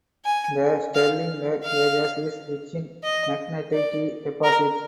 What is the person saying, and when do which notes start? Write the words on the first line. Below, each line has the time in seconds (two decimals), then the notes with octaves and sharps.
The Sterling Lake area is rich in magnetite deposits.
0.25 G#5
0.95 F5
1.64 F5
3.04 D#5
3.73 D5
4.44 A#4